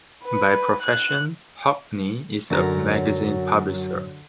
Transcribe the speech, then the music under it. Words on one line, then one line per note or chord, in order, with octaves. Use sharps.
By profession, Hockney is a magazine publisher.
B4
F#6
F#2 D3 F#3 A#4